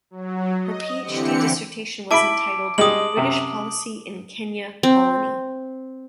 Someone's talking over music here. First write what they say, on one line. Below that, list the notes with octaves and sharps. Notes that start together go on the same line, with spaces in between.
Her PhD dissertation was entitled "British policy in Kenya Colony".
F#3
D#5
D3 E3 C4 G4 C#7
E4 A5 B5 D6 D7
G3 G#3 D#6 F#7
F#2 C3
C4